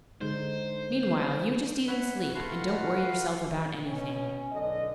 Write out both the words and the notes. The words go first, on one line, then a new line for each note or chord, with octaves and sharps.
Meanwhile you just eat and sleep, and don't worry yourself about anything.'
D3 G#3 D#4 C5
B4 C#5 E5 F#5
A3 F4 F#4 B4 F5 F#5
B2 C#4
B1 D3 D#5